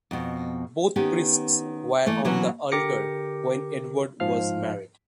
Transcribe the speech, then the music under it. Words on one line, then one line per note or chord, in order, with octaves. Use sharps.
Both priests were on the altar when Edward was married.
F2 B2
D#3 B3 C#4 G4
E3 A3 A#3
B2 E3 F#3 A#3 C#4
D3 G4 A#4 D6 A#6 C#7
G#2 F3 F5 F6